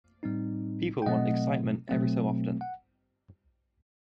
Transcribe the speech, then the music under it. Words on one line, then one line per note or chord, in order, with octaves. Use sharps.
People want excitement every so often.
A2 G3 C4 D#4
G5
B2 F#3 A3 C4 D#5 F#5
B2 F#3 A3 C4
F#5